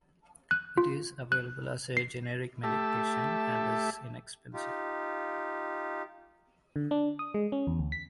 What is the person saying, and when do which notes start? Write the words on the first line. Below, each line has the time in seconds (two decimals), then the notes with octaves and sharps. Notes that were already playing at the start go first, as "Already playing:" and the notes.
It is available as a generic medication and is inexpensive.
0.51 F#6
0.77 F4
1.32 F#6
1.97 C7
2.63 A3 G4 E5 A5
4.54 D#4 F4 G4
6.76 D3
6.91 D4
7.19 D#6
7.34 G#3
7.52 C#4
7.67 E2
7.79 D2
7.92 B6